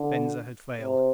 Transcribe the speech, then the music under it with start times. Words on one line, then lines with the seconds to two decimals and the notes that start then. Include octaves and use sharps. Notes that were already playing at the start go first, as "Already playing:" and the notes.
Venza had failed.
Already playing: D3
0.81 C3